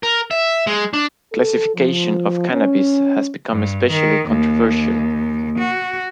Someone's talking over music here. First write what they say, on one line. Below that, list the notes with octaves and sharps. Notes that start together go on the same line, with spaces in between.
Classification of cannabis has become especially controversial.
A#4
E5
G#3
D4
A4
F3
C#4
G2
D#3
D#2
F#4